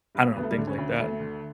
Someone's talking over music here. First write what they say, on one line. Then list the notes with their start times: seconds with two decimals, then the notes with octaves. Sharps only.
I don't know, things like that.
0.15 G2
0.36 D2 B3
0.43 A3
0.50 G3
0.57 D3 A3
0.67 C#4
0.78 D2
0.99 D2 A3
1.20 D3